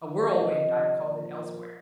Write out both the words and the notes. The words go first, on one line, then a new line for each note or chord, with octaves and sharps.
A whirlwind I have called it elsewhere.
C3 F3 D#5
A#2 F3 D5
A#4